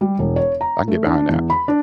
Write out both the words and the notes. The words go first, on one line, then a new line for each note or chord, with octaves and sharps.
I can get behind that."
G3
E1
C#5
A#5
A3
D4
E2
B5
D4